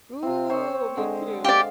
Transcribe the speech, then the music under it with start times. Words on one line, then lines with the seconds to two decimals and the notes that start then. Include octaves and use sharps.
Ooh, me too.
0.23 C3 C4
0.49 C4 C5 C#5
0.97 D3 G#3
1.44 G4 D5 F5